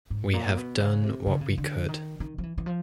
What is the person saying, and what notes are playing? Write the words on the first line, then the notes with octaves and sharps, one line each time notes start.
We have done what we could.
G#2
A#2
B2
C#3
C3
C#3
D3
C#3
D3
D#3
D#3
F3
E3
E3
F3